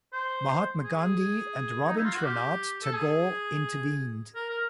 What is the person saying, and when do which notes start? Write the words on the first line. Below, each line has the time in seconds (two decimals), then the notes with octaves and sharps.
Mahatma Gandhi and Rabindranath Tagore intervened.
0.13 C5
0.83 G#4
1.87 D#4
1.96 E4
2.05 F4
2.15 F#4
2.24 G4
2.83 A4
2.94 G#4
4.35 A#4
4.50 A#4